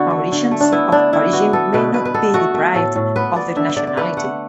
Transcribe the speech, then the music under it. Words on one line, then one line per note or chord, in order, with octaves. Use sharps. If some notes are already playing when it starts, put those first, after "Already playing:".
Mauritians of origin may not be deprived of their nationality.
Already playing: D3 B3 E4 F#4
A3
D3
A3
D4
B3 E4
D3 D4
D3 E4
B3 F#4
B3 A4
B2 B4
B2 B4
B4
B3 A4
A3 F#4
A3
A2 A4
A2
B3 B4
B3 D5
D3 E5
D3 D5
D5
A3 B4
A3 F#5